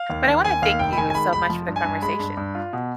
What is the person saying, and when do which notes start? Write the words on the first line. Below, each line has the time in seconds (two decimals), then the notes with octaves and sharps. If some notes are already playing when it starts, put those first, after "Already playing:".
But I wanna thank you so much for the conversation.
Already playing: F5
0.10 D#2
0.27 D#2
0.45 D#2 G#5
0.62 D#2 F5
0.79 F1 G5
0.93 B5
0.98 D#3 G#5
1.10 G#5
1.15 G#3 B5
1.33 F1 B5
1.50 F3
1.67 G2
1.76 G#5
1.84 G2
2.02 G#3 B5
2.19 G2
2.37 G2
2.55 F4
2.73 B2